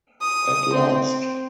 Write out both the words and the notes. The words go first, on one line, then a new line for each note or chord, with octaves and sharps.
At last!
D#6
C4